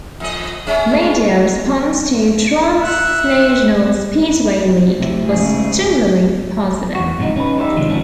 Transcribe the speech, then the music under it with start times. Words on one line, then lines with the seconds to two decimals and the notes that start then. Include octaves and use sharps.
Media response to "Transnational Speedway League" was generally positive.
0.20 F2 D#5
0.67 G#3 C#4
2.81 E5 F#5
4.98 C3 A3 E4
5.26 G#2 C#3 G#4
6.95 E2 F#4
7.19 G#2 C3 F3 D#4
7.36 C#4 D#4 B4
7.57 G3 D#4 C5 E5
7.77 C3 D#3 F3 G#3
7.89 G#2 C3 F3 B3 C#4 D4